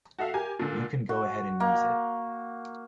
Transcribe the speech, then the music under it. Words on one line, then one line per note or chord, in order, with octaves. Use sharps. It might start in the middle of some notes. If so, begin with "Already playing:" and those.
You can go ahead and use it'.
F#4 A4 E5 F5
G4 A#4 G#5
A#2 D3
F#4
A#3